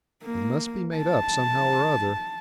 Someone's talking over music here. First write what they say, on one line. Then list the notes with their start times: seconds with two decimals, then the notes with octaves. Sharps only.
"It must be made up somehow or other."
0.24 A#3
0.97 A5